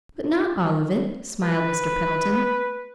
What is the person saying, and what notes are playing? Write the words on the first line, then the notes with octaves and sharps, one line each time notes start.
"But not all of it?" smiled Mr. Pendleton.
B4